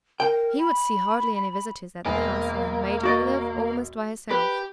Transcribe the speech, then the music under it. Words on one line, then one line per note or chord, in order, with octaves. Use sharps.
He would see hardly any visitors at the castle, and made her live almost by herself.
A#4 G5
B5
E1 A#3 G#5
F#4 D5 D#5
G4 B4